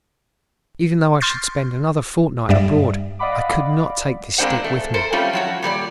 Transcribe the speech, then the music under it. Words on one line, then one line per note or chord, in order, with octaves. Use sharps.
Even though I should spend another fortnight abroad I could not take this stick with me.
C6 F6 G6 A6 C7
G2 G3 D5 E5
D5 D#5 F5 F#5 B5 D6
G#3 A#3 C4 D4 C5 F#5
A3
A4 A#4 C5
G3 A3 C4 C#4 F4
F3 F#3 F#4
A#2 G3 C5 D5